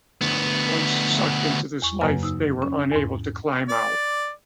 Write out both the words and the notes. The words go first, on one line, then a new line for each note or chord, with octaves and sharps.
Once sucked into this life they were unable to climb out.
D2 B3
E2 C#6
F#2 C#3 F#3 A#3 B4 G#5
D#4 E6
C#4
E2 G#2
D5